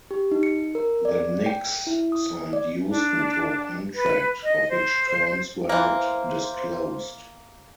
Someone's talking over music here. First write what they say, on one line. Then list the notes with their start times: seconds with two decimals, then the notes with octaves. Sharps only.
The Knicks signed Houston to a contract, of which terms were not disclosed.
0.11 G4
0.32 D#4
0.43 C#7
0.75 A#4
1.05 D5
1.46 G5
1.87 E4
2.12 D#6
2.53 D5
2.88 D4
3.94 B4
4.44 D#5
4.69 C5
5.69 E3 A#3 C5